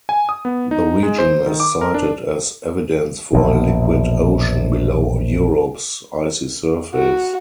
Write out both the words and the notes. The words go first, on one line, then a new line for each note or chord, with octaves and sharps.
The region is cited as evidence for a liquid ocean below Europa's icy surface.
G#5
D#6
B3
D#4
G#3
C5
D#3
D6
A#4
D4
A#1 E2 B2
F#4